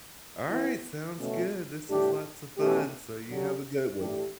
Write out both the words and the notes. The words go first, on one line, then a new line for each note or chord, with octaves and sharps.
Alright, sounds good. This was lots of fun, so you have a good one.
E3 B3 E4
B2 A3 C#4
A2 G3 D4 G4
B2 A3 C#4 G4
D3 F#3 C#4 G4
A2 E3 A3 D4 G4